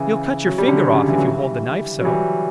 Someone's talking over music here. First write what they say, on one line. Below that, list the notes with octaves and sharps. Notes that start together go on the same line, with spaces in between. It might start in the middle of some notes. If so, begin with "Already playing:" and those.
"You'll cut your finger off, if you hold the knife so!"
Already playing: C#3 E3
F#3
G3
D3 F#3
C#3
D3
E3
F#3
E3 G3
F#3
E3 G3